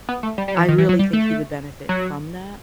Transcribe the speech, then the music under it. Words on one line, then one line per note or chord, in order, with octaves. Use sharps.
I really think he would benefit from that.
B3
A3
G3
G3
F#3
E3
D#3
E3
F#3
G3
A3
F#3